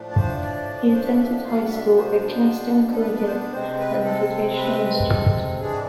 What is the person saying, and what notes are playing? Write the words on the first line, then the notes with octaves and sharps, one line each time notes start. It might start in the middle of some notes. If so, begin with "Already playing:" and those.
He attended high school at Kingston Collegiate and Vocational Institute.
Already playing: A2 F3 A3 D4
D5
C5
D5
C5
E5
E5
B2 B3 D4 F5
E5
C5
A4
B4
B4
C5
C3 G#3 C4 C5
B4
A4
B4
A4
E3 G#3 D4 G#4